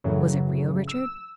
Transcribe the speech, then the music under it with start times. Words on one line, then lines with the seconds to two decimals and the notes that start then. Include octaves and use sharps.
"Was it real, Richard?"
0.04 F#2 A2 C#3 E3 F#3
0.88 E6